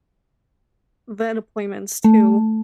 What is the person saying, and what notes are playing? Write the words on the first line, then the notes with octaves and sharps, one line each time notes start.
vet appointments to
A3